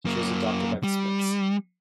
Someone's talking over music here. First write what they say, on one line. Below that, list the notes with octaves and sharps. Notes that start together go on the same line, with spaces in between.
She was adopted by the Smiths.
F#2 A#3
G3